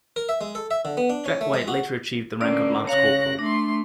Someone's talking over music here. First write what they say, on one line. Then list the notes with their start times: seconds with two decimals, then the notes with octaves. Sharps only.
Jack White later achieved the rank of Lance-Corporal.
0.16 A#4
0.29 E5
0.41 G#3
0.55 A4
0.71 E5
0.85 D3
0.97 B3
1.10 D4
1.26 C#4
1.41 A3
1.54 G#3
1.68 F#4
2.41 A2 D3 A#3 C#4 D5
2.87 C#3 C#5 F5 F#6 A#6
3.39 A3 D4 C6